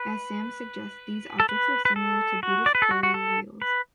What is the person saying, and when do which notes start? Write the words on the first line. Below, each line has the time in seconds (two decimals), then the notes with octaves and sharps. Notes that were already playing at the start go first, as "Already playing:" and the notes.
As Sam suggests, these objects are similar to Buddhist Prayer wheels.
Already playing: B4
1.40 A4
1.49 B4
1.85 B4
1.96 A4
2.43 F#4
2.66 D5
2.75 B4
2.82 A4
2.91 F#4
3.03 F#4
3.14 A4
3.62 B4